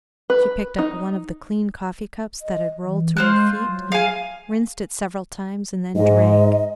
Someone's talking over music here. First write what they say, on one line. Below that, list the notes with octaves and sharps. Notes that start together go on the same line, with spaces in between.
She picked up one of the clean coffee-cups that had rolled to her feet, rinsed it several times, and then drank.
B4
D#4
D#5
E3
G#3 F4 C5 F#6
F#3
G#4 F5 G#5
G#2 D#5